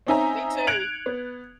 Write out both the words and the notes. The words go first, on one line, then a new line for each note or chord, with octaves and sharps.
Me too.
C4 C#4 D#4 E5 G#5 A#5
F#6 G#6 C#7 D7 F7 F#7
B3